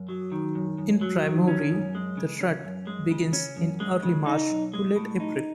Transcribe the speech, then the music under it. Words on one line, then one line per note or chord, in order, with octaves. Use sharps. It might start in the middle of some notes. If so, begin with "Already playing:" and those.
In Primorye, the rut begins in early March to late April.
Already playing: F#2
F#3
D#3
F#2
F#2
F#3
D#3
C#4
F#2
G#3
C#3
C#4
F#2
G#3
C#3
C#4
F#2
G#3
C#3
D#4
B1
G#3
A2
D#4